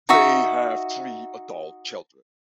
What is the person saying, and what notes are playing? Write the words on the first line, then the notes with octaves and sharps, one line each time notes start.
They have three adult children.
D#4 F#4 E5